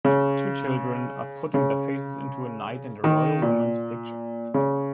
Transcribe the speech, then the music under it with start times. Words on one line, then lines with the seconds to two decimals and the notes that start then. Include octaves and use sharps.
Two children are putting their faces into a knight and royal woman 's picture.
0.05 C#3
1.54 C#3
3.04 D#3
3.42 A#2
4.54 C#3